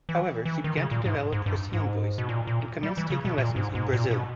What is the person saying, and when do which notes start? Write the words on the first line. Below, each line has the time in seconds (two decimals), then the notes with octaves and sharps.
However, she began to develop her singing voice and commenced taking lessons in Brazil.
0.09 E3
0.45 E3
0.64 D#3
0.77 C#3
0.91 A#2
1.05 G#2
1.32 G#2
1.46 G2
1.73 G#2
2.18 B2
2.29 A#2
2.47 A#2
2.83 G3
2.97 E3
3.10 C#3
3.25 B2
3.38 A#2
3.56 G#2
3.75 G#2
3.93 A#2
4.11 B2